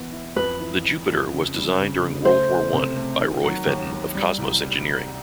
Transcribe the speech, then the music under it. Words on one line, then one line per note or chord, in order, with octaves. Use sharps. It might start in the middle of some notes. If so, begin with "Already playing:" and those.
The Jupiter was designed during World War One by Roy Fedden of Cosmos Engineering.
Already playing: E3 B3
E4
F2 B4
E3
F2
F2
C#3
G3
C#3
C#3
A3 C5
A3
C3
A3
D#3
F#3
D#2
D#2
G3
C2